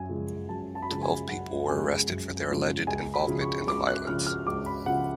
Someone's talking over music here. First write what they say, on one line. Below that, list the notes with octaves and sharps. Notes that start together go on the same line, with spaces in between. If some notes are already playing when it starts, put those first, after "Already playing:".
Twelve people were arrested for their alleged involvement in the violence.
Already playing: F#2 G#5
C#3 F3 G#3
F#2 A5
A5
B5
C#3 F3 G#3 A5
G#5
F#2 F#5
C#3 F3 G#3 G#5
F#2
C#3 F3 G#3
C#2 G#5
B5
C#3 F3
C#6
C#2 D6
F#6
C#3 F3 F6
F6
C#2 D6
B5
C#3 F3 F#5